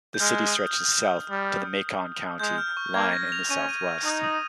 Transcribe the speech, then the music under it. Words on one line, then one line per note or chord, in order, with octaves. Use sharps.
The city stretches south to the Macon County line in the southwest.
G6
G#3 F6
D#6
G3
G#3 G6
F6
C#6
A#3 G#6
A#6
F7
C#4 D#7
D#7
D#4 D#6
D#6